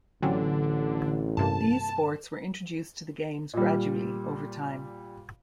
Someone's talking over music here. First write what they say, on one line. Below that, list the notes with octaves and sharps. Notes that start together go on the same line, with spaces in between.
These sports were introduced to the games gradually over time.
A1 D3 F#3 C4 C#4
G2 C3 A#3 A5
A#2 G3